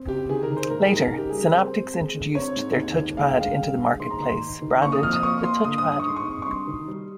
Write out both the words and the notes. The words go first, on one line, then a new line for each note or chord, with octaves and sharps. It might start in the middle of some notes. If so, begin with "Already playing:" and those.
Later, Synaptics introduced their touchpad into the marketplace, branded the TouchPad.
Already playing: C4
C#2 G4
D#3 G#4
A#4
D#3
C5
G#2 A#4
G#4
G#2
A#4
C#3
G4
G3 G#4
A#4
C4 C5
C4
G#3
G1
C4 C#5
G#2
D#2
D#2
G#3 F5
G5
G2 F5
G2
G#3
D#2 C6
A#5
D#3 C6
G#2
D#3
A#3 C#6
D#6
F2 F6
D#6
A#3 C#6
A#3 C6
G1 D#6
D#6
G2
D#6
C#6
G#2 C6
C#6
C4
C#6
G2 C6
D#3
G3